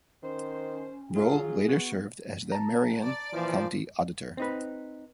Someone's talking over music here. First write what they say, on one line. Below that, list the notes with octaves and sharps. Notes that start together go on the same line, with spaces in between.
Breaux later served as the Marion County Auditor.
D#3 C#4 C5
F#3 F4 G#4
B3 F#4 F#5
A5 A#5
D5
A#2 E3 F3
C4 D#4 B4